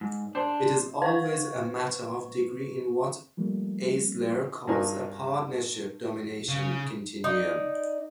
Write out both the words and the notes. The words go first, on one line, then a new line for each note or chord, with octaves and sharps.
It is always a matter of degree in what Eisler calls a partnership-domination continuum.
G#2
D4 C5
B4 C5 C#6
F3 G3 A3 A#3
G2 A#3 C4 D4 D#4 G#5
C#3
D#4 D5